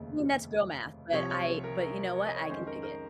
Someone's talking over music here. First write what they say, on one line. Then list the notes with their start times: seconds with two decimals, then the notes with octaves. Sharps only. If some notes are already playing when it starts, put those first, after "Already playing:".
I mean that's girl math, but I but you know what, I can dig it.
Already playing: F1 D#2 C#3
1.12 C2 C3 F3 C#5
1.30 C#5
1.64 A#4
1.81 A#4
2.15 C#5
2.26 D#5
2.36 C#5
2.50 F2 D#3 G#3 C#4 C5
2.67 A#4
2.83 A#4